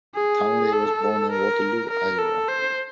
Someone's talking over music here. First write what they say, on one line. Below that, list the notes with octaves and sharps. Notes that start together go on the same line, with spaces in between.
Townley was born in Waterloo, Iowa.
G#4
A4
A#4
A#4
A4
C5